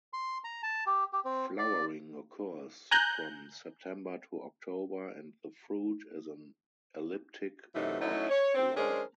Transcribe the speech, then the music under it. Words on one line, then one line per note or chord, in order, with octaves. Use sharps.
Flowering occurs from September to October and the fruit is an elliptic pod long.
C6
A#5
A5
G4
G4
C4
D5
G#5 A#5 F#6 G6
F#2 C3 E3 A3 D#4 E4
F#3 A3 C#4 D#4 E4
C#5
C4
G#3 C#4 D4 G#4 A#4 C5